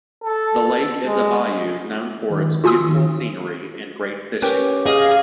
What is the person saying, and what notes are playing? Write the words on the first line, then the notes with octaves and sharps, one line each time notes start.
The lake is a bayou, known for its beautiful scenery and great fishing.
A4
G#3
F4 F#4 G#5 C6 D#6 E6
C#4 G4 A#4 B4 G5
G#4 D#5 F5